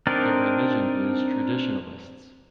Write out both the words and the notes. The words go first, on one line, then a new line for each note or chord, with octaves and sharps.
Their religion is traditionalists.
C4 D4 D#4 A#4 D5